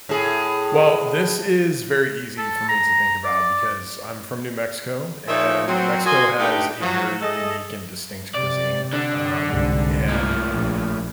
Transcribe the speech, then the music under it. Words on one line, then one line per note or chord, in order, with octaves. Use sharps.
Well, this is very easy for me to think about, because I'm from New Mexico, and New Mexico has a very unique and distinct cuisine. Um, and
A2 G#4
A4
A#5
D5
A#2 F3 D#4 G#4 C#5 E5
F#3 C4
F#4 A#4 D#5 G#5 C6
A3 D4 D#4 G4 B4 G5
F3 F#3
A3 G#4 A4 D#5
C3 D5
D3 D4
C2 G#2
A2 A#3
A#1